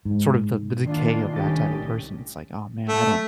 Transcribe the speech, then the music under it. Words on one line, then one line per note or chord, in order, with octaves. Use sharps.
sort of, the the decay of that type of person. It's, like, "Oh, man." I don't
G#2
D#3 E3 A#3 D4 F4
C2 A2 C#4 D4 G4 D#5 A6
A3